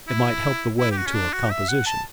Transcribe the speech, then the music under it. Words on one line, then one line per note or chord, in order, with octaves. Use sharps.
"It might help the way to a composition."
E4
E4
G4
F#4
C#4
D4
F#4
E5
F#5
A5